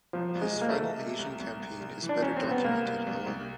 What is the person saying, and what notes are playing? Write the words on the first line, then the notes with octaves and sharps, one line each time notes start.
His final Asian campaign is better documented, however.
C2 F3
C2
G#3
C2
A#3
A3
C2
C3
C2
C2
C2
C2
E3
D4
C2 C#4
C4
C2
B3
C2 A#3
C2
C2
C2